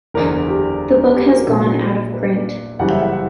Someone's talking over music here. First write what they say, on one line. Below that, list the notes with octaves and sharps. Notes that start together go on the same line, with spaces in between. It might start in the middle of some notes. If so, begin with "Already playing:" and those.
The book has gone out-of-print.
F#1 E2 D3 A#4
G4
G4
F#4
A#4
A#1 A#2 F#3
B4
B4
D5
F#1 F#2 C#3 E3 G3 F#5
E5
F#5
F#5